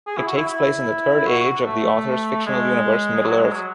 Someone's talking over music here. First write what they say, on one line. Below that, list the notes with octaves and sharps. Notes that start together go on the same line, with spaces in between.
It takes place in the Third Age of the author's fictional universe, Middle-earth.
G#4
E4
F#4
E4
E4
F#4
F#4
A3
G#3
G#3
F#3
G#3
F#3